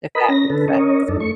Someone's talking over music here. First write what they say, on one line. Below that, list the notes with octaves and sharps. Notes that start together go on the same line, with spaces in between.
If that makes sense.
A#4 B4 D#5 B5
C#4 A#6
D3 A4 B4
C#4 A#4 C#5 D#5
F#2 D4 D#4 A4
A3 C#6